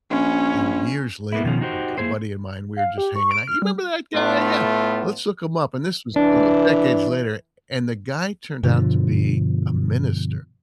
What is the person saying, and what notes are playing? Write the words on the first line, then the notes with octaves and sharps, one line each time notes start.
you know, years later. A g a buddy of mine, we were just hanging out, "You remember that guy?" "Yeah, let's look him up." This was, you know, decades later, and the guy turned out to be a minister.
A#1 C#4
A#3 B3 E4
B2 D#3 F3 C#4
D#4 F#4 G4 C5
A#3 E4 G#4 C5
F5
G4
C#6
D7
F6
G3
A2 A3 B3 F4
E3 D4
G2 B2 D3 F3